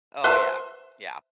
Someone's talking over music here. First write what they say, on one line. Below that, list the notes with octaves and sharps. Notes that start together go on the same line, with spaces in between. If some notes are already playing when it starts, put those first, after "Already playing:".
Oh, yeah. Yeah.
B4 C5 E5